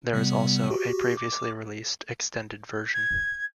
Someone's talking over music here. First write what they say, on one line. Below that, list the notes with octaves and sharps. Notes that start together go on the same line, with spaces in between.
There is also a previously released extended version.
C3 G3 B3
F#4 G4
D6
G#6